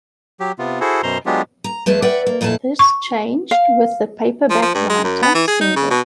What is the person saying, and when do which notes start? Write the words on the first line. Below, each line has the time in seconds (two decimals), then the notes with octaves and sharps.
This changed with the "Paperback Writer" single.
0.40 F#3 G4
0.59 C3 B3 F4
0.81 E4 F#4 G#4 A4 C5
1.03 F#2 B2 C5 A#5 C6
1.26 F#3 G#3 B3 D4 F4 G4
1.64 A#5
1.86 F2 G#3 A3 B4 A5
2.02 B4 D5 E5 F#5 G5
2.26 A#3
2.41 F2 A#2 A3 E4 A5
2.79 C#6
3.51 F5
4.50 F3
4.62 F3
4.75 G2
4.90 G#3
5.04 F#2
5.23 B3
5.35 E3
5.48 G#4
5.61 D#4
5.76 C#3
5.91 B2